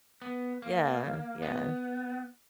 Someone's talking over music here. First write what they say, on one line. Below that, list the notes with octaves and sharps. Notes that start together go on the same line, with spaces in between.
Yeah. Yeah.
B3
A#3
B3